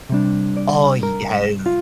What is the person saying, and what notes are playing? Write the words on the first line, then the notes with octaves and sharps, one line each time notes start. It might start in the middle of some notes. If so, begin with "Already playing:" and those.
Oh, yes.
C3 G3 D4
D5
A#4
F4